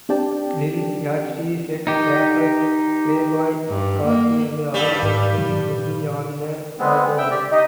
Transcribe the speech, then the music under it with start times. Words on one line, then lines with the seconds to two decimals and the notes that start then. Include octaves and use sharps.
Lil Yachty said rappers Playboi Carti and Oliver Tree would be on the album.
0.09 C4 D4 G4 D5 G5 A5
1.87 D#4 G4
3.69 G2
4.05 A#3
4.74 G2 G3
5.03 G#2
5.38 A#2 D#3 F#3
6.79 G#3 B3 C4
7.18 E5 G5
7.31 G4 D5
7.52 D#4 G4 D#5